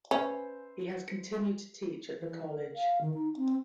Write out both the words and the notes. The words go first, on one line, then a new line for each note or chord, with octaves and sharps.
He has continued to teach at the college.
C#4 B4 C5 E5
E3
A#4
F5
D#3
D#4
C4